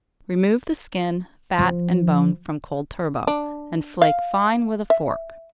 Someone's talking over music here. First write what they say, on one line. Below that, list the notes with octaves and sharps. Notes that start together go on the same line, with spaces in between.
Remove the skin, fat, and bone from cold turbot, and flake fine with a fork.
F3
D4
F5
E5